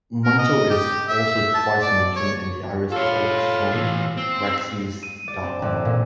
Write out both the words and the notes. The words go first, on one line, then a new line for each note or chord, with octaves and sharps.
Monto is also twice mentioned in the Irish folk song "Waxies' Dargle".
A#4
D#5
G4
E5
A5
D5
C#5
F4 A4 C#5
A2 E3
C4
D#7
D5
C4
A1
A#2